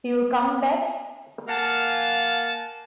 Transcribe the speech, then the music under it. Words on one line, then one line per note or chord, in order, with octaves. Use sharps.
You'll come, Beth?
A#3 F5 F#5 G#5 A5